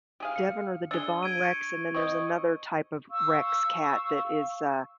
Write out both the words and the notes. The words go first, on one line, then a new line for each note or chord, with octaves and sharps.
Devon or the Devon Rex, and then there's another type of Rex cat that is, uh,
G4 G#4 F5
C#7
D4 G#4 E6 C#7 G7
G#6 D7 D#7
C#6 C#7
C4 D#5 C#6
F5 C#6 E6